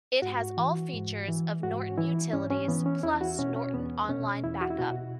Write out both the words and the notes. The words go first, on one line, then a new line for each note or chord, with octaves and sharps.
It has all features of Norton Utilities plus Norton Online Backup.
G#2 F#4
E3
G#2
E3
G#2 F#4
E3 E4
G#2 C#4
C#4
E3 B3
C#4
E2 E4
F#4
B2 C#4
C#4
E2 B3
B2 C#4
E2 E4
F#4
E4
B2 F#4